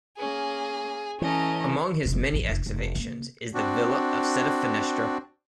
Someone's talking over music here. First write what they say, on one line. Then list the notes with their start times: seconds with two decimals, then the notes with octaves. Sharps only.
Among his many excavations is the villa of Settefinestre.
0.18 A#3 C#4 G#4
1.22 E3 A3 C#4 D#5 A#5
2.06 F1 C3
2.21 D#2
2.32 A1 F2
2.49 F1
2.66 F1
2.95 C#3 A#3
3.54 C4 D4 F#4